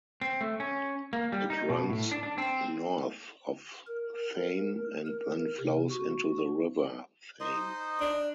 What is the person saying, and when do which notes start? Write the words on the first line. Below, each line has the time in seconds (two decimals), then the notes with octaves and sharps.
It runs north of Thame and then flows into the River Thame.
0.21 C4
0.41 A3
0.60 C#4
1.13 A#3
1.32 G3
1.50 D#4
1.69 B2
1.90 A2
2.11 D4
2.23 D4
2.38 C4
3.87 A#4
5.07 A#4
5.59 C3
5.91 F#4
7.40 D#4 C5 D#5
8.00 D4